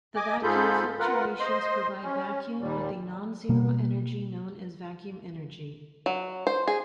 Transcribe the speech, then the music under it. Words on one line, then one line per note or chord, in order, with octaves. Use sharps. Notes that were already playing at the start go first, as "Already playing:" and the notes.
The vacuum fluctuations provide vacuum with a non-zero energy known as vacuum energy.
D#5 G#5 D6
G#2 F4 G#4 A4 B5 G6
F4 A#4 B4 F#5
C5 D#5 C6
C#4
D#2 A#2 G3
B2 G3 A#3
F#3
C5
G#4